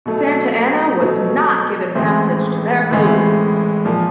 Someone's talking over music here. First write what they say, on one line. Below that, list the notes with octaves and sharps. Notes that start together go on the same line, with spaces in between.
Santa Anna was not given passage to Veracruz.
B2 F#3 A3
B2 F#3 A3
A1 A2 E3 G#3 C4
A1 A2 E3 G#3 C4
A#2 F3 A#3